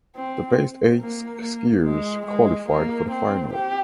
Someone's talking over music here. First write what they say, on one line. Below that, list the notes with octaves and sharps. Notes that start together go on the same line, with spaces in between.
The best eight skiers qualified for the final.
C4
A#3
A#3
G#3
G#3
A#3
C4
G4